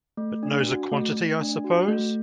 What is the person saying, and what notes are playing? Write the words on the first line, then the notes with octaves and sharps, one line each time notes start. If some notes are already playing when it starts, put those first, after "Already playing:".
But knows a quantity, I suppose?
A3
D4
F#4
A3
A3
D4
F#4
A3